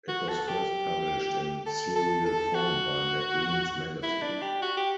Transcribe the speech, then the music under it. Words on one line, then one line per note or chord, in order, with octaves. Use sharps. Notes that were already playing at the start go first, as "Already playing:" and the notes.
It was first published in serial form by "Maclean's" magazine.
F#4
A4
G4
A4
A4
A4
F#4
E4
D4
G4
F#4
G4